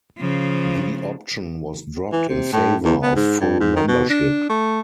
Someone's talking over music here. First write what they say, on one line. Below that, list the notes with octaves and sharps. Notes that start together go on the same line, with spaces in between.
The option was dropped in favor of full membership.
C#3 F3
E3
C3
A2
E2
B3
G#2
G2
G#2
D#3
B2
D4
A3